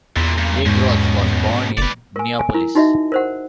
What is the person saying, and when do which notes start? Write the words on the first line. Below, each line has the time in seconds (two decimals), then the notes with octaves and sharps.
LeGros was born in Minneapolis.
0.17 E2 A#2 E3
0.38 G2 A#2
0.66 C#2 G#2 B2
1.78 F#1 B4 D5
2.16 A#4 G#5
2.39 G#5
2.54 E4 A#4
2.75 D#4 F#4 D#5 E5
3.12 A#4 C5 F#5